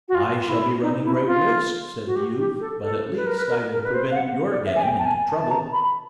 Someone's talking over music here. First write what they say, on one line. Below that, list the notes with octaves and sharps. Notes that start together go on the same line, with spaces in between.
"I shall be running great risks," said the youth, "but at least I will prevent your getting into trouble."
F#4
F4
F4
E4
D#4
E4
F4
F#4
G4
G4
A4
A4
B4
A#4
B4
A#4
A#4
B4
C5
F5
F#5
D5
E5
G#5
G5
A5
G#5
A5
A5
A#5
B5